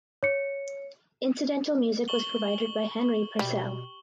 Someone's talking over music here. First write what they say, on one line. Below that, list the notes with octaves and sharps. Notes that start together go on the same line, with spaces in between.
Incidental music was provided by Henry Purcell.
C#5 C#7
C#6 F#7 G7
B2 G3